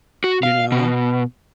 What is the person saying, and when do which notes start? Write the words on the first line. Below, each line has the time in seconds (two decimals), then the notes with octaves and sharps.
you know?
0.24 F#4
0.43 F5
0.72 B2